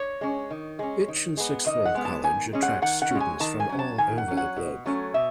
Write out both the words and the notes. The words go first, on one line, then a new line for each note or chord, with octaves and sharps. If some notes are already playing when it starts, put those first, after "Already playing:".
Itchen Sixth Form College attracts students from all over the globe.
Already playing: C#5
G#3 C#4
D#3
G#3 C#4
D#3
G#3 B3
D#3 D#5
F#5
G#3 B3
A5
D#3 G#5
G#3 C#4
F#5
D#3 F#5
F#5
G#3 C#4
G#5
D#3 A5
G#5
F#3 C#4
A5
D#3 G#5
F#5
F#3 C#4
F#5
B2
F#3 A3 C#4
B2 E5